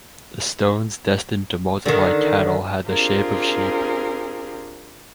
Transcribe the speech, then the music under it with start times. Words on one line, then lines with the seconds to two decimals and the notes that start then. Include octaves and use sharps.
The stones destined to multiply cattle had the shape of sheep.
1.86 D3 D#3
2.86 C4 D4 F4 G4 G#4 A#4